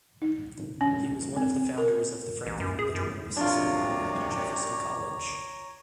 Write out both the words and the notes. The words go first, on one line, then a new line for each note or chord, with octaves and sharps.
He was one of the founders of the Franklin Literary Society at Jefferson College.
D#4
C#4
C4
A#4
A1
F#2
G#4
F#2
F#2 C3 D4 F4 C#5 D5 A#5